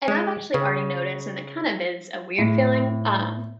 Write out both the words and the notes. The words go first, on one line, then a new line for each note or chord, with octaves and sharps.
And I've actually already noticed, and it kind of is a weird feeling, um,
G#3
C#3
A2